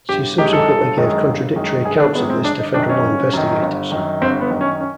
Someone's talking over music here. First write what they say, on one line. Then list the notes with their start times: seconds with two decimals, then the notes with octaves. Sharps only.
She subsequently gave contradictory accounts of this to federal investigators.
0.09 G1 G4
0.38 F#2 D#3 G#3 G4
0.53 A4
0.68 G1
0.97 F#2 D#3 G#3
1.27 G1
1.56 F#2 D#3 G#3
1.85 G1 G#4
2.00 D4
2.15 F#2 D#3 G#3 B3
2.30 C4
2.44 G1 D4
2.59 D#4
2.74 F#2 D#3 D4
2.89 C#4
3.04 G1
3.33 F#2 D#3
3.63 G1
3.92 F#2 D#3
4.21 G1 C4
4.41 B3
4.51 F#2 D#3
4.61 C#4
4.81 C#4